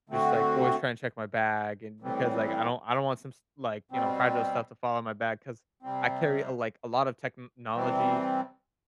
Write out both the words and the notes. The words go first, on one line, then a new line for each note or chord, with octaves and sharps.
just, like, always trying to check my bag and because, like, I don't I don't want some s like, you know, fragile stuff to fall out my bag 'cause I carry, like, a lot of technology
D3 A3 C4 F#4
A2 E3 G3 C4
B2 G3 C4
C3 G3 C4
C3 E3 G3 C4